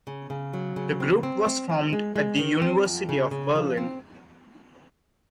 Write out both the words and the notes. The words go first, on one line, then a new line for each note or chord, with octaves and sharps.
The group was formed at the University of Berlin.
C#3
C#3
F#3
C#3
C4
C4
C4
C4
G#3
G#3
D#3
C4
F2
C#3
C#3
F3
C4